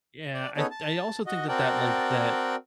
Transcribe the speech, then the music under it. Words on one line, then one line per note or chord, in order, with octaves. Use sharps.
Yeah, I th I also think that, like, that,
D5
B3 C#4 D#4 G#4 A4 C#5
A5
F#4 D#5
C4 F#4 A#4 D5 G5 A5